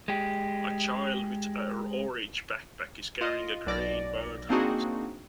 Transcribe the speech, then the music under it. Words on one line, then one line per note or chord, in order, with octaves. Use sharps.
A child with a orange backpack is carrying a green bird house.
G#3 G4
F4 D#5
B1 D5 A#6
A#3 C4 D4 D#4 F#4 G#4